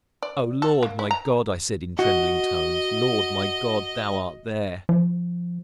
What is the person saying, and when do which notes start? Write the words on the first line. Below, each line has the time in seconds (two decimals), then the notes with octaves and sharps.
"O, Lord my God," I said in trembling tones, "Lord, my God, thou art there!"
0.23 D5
0.62 A4
0.83 A#3
0.99 E4
1.11 A#5
1.99 F#4 D#5
4.89 F3